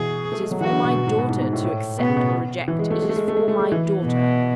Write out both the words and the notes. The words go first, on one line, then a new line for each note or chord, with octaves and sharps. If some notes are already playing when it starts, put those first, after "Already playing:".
'It is for my daughter to accept or reject; it is for my daughter.
Already playing: B2 E3 G#4
A3
G#3
F#3
E3 F#4
D3
B2
B2
G#2
B2
G#2
G#2
A2
A2
B2 B3
C#3
B2
E3
G#3
A3
G#3
A3
G#3
A3
G#3
A3
G#3
E3
B2